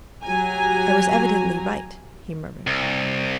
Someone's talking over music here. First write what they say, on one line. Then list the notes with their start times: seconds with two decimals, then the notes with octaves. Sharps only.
"I was evidently right," he murmured.
0.24 F#3 G4 G#5 A#5
2.67 C2